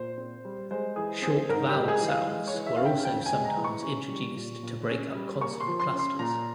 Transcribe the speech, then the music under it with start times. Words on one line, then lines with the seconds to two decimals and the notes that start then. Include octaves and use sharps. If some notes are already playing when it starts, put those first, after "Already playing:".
Short vowel sounds were also sometimes introduced to break up consonant clusters.
Already playing: A#2 C5
0.18 C4
0.45 G3
0.71 G#3 C5
0.96 E3 G#4
1.22 C4 G#4
1.49 G#2 A#4
1.69 G4
1.75 G#3
1.88 G#4
2.01 E3
2.08 F5
2.27 G#3
2.47 C#5
2.54 E3
2.66 E5
2.76 C#4 F5
2.86 G5
3.05 F2 G5
3.26 G#5
3.32 G#3
3.45 A#5
3.57 E3
3.64 C#6
3.84 C#4
4.10 G3
4.36 A#2
4.63 A#2
4.89 C#4
5.15 G3
5.40 A#3 C#6
5.61 C6
5.68 F3
5.80 C6
5.93 C#4
5.99 C6
6.19 A#2 A#5